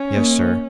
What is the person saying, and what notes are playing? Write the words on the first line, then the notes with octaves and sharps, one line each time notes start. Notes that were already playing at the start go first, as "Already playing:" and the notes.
"Yes, sir."
Already playing: C#4
A#3